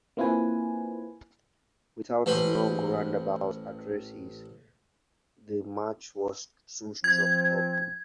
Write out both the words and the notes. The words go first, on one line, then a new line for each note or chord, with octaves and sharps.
Without long, roundabout, addresses, the match was soon struck up.
A#3 C4 E4 F4 B4 G#5
A1 B4 C5 B5
F3 C4 G#6